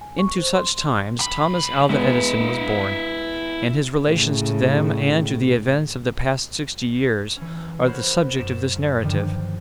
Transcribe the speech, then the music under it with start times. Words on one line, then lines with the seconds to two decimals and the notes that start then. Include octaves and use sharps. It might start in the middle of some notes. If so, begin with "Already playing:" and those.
Into such times Thomas Alva Edison was born, and his relations to them and to the events of the past sixty years are the subject of this narrative.
0.01 G#5
0.19 C#6
0.38 C5
0.55 C6
1.19 C2 B5
1.89 G#3 B3 E4 D#5
4.11 A2 C#3
7.37 E3 C#4
7.87 F#4 A#4 C5 C#5 F#5 B5
8.37 F#2 E7
9.01 G2 D3 D#3 F3